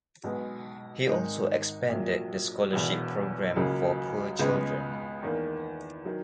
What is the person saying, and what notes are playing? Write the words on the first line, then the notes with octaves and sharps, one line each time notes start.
He also expanded the scholarship program for poor children.
B1 B2 G#3 B3
G#1 G#2 D#3 G#3 D#4
A#1 A#2 F#3
E1 E2 B2
C#2 C#3 F#3 A#3
C#2 C#3 G#3 B3
E2 D#3 A#3
D#3 F#3